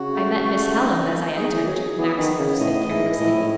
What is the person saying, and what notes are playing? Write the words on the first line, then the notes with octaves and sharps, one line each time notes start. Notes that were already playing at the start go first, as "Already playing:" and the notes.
'I met Miss Hallam as I entered,' Maxineff said carelessly.
Already playing: C#3 F#4
A3
A3
D#4
D#4
D#3 G#4
E3
F#3 G#4
E3 B3
D#3
B3
C#3
A2 D#5
G#2 E4
A2 E4
A2